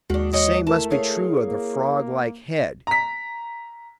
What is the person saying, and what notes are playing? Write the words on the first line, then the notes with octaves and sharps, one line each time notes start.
The same must be true of the froglike head.
D#2 D#3 G#3 D4 F#4
E3 F#3 D#5
A3 E4 A#4 A5
G#4 C#5 F5
A#3
A#5 B6